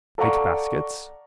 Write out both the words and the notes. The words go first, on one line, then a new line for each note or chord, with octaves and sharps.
Plait baskets.
A4 D5 F5 F#5 A#5 C#6